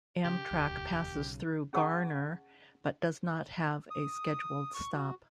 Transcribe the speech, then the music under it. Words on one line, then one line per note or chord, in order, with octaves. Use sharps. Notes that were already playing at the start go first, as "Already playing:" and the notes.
Amtrak passes through Garner but does not have a scheduled stop.
C#3 G4
E1 D2
B1 C#3
C#4 G#4 C#5 F#5 A5 C#6
D#6
C#6
F#4